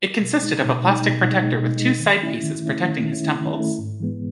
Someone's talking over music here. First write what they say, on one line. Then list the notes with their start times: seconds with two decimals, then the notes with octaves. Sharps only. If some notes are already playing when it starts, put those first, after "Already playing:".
It consisted of a plastic protector with two side pieces protecting his temples.
0.20 B2
0.42 G#3 D#4
0.65 B2
0.86 G#3 D#4
1.09 B2
1.31 G#3 D#4
1.53 B2
1.76 G#3 D#4
1.98 D#3
2.21 A3 C#4 E4
2.43 D#3
2.66 A3 C#4 E4
2.88 D#3
3.11 A3 C#4 E4
3.33 D#3
3.55 A3 C#4 E4
3.78 G#2
4.00 E3 G#3 B3